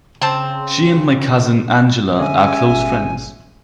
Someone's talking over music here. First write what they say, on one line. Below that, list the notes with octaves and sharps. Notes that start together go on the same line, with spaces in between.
She and my Cousin Angela are close friends.
C#3 C4 C5 A5
D3 G3 G#3 C#4 E5 G#5
G#1